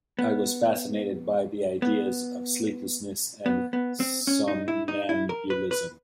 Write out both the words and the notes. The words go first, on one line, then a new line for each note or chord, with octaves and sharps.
I was fascinated by the ideas of sleeplessness and somnambulism.
B3
B3
B3
B3
C4
C#4
D#4
E4
D#4
E4
A#4
B4
B4